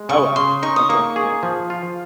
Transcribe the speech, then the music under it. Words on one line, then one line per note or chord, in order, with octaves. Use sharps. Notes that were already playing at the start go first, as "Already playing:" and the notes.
Oh, wow. Okay, yeah.
Already playing: G#3
C#3 C#6
C#3 C6
D#4 C#6
D#6
A#3 C#6
G#4
F3
F4